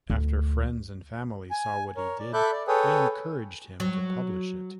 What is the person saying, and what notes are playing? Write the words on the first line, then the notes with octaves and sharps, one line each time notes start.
After friends and family saw what he did, they encouraged him to publish it.
D2
G#5
A#4 C#5
D5
A4 E5 B5 D6 F#6 G6
D5
G#4 A4 B4 C#5 G5 D#6
F#3